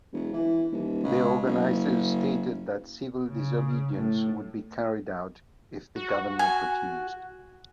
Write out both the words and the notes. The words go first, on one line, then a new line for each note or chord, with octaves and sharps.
The organisers stated that civil disobedience would be carried out if the government refused.
E1
E3
D#1
C#2
F#1
C#3
A2
F#4
G#5